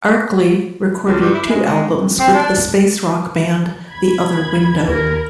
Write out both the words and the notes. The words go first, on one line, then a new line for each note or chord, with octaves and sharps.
Arkley recorded two albums with the space rock band The Other Window.
C#2
G2
E4
G#3
G#3
F2
C4
D4
E2 B5 G#6
D#2 A#4